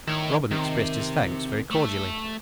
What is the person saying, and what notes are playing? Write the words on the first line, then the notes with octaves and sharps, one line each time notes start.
Robin expressed his thanks very cordially.
D#3 E4 C#5
C3 D#3
A3